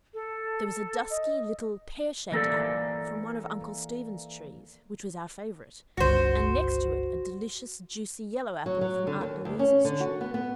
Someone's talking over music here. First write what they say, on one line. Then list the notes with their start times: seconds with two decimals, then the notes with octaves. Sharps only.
There was a dusky, little, pear-shaped apple--from one of Uncle Stephen's trees--which was our favourite; and next to it a delicious, juicy yellow apple from Aunt Louisa's tree.
0.14 A4
1.10 D#5
2.32 E3 A#3 A4 D5
5.97 G1 C#2 F#4 C5
8.66 F#3
8.81 F#3
9.07 D3
9.21 D#2
9.45 D2
9.59 C#4
9.84 D3
10.00 F#4
10.21 B3
10.34 B3